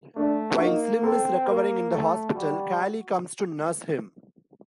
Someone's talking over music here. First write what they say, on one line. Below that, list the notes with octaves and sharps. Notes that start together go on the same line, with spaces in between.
While Slim is recovering in the hospital, Cally comes to nurse him.
A3 D4
F#4
A#3 D#4
C4 A4
A#3 A#4
A3 A4
G3 F#4